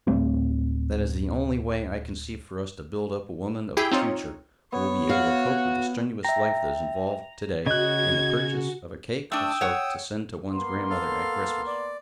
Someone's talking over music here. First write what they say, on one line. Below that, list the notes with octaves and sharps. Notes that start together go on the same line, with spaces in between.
That is the only way I can see for us to build up a woman of the future who will be able to cope with the strenuous life that is involved to-day in the purchase of a cake of soap to send to one's grandmother at Christmas.
D1 G3 A3 C4
E4 G4 G#4 G5
C4 D#4 F4 C#5
B3 C#5
F#4 F5
E5 G5 A#5
C#3 F#4 D#5 F#6 G#6
A3 D4 G5 D#6 E6
C#5 F#5
A#3 B3 C6
A4 F5
D5